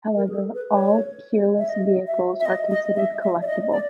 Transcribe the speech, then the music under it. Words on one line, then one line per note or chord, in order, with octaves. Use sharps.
However, all Peerless vehicles are considered collectible.
A#4
G#4
A4
B4
C#5
E5
D#5
E5
E5
D#5
D#5
E5
E5
D5
D#5
D5